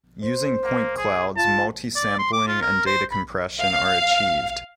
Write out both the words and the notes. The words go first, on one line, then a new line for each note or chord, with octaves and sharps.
Using point clouds multi-sampling and data compression are achieved.
C5
A#3
G#4
F4 A5
D5
C6
D6
F4
A#4
C5
B5
F5